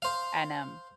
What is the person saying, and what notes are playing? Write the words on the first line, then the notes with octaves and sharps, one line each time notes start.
and, um
C5 F5